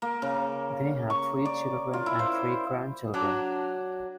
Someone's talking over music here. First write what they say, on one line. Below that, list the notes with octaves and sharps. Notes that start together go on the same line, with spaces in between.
They have three children and three grandchildren.
A#3
C#3
C#6
D5
F4
E4
C5
F#3 D4